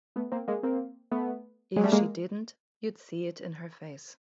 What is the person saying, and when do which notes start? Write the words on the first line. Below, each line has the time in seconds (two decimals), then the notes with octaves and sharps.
If she didn't, you'd see it in her face.
0.16 A3 B3
0.32 A#3 C4
0.48 G#3 A#3
0.63 A#3 C4
1.11 A3 B3
1.76 F#3 G#3
1.84 G3 A3
1.92 G#3 A#3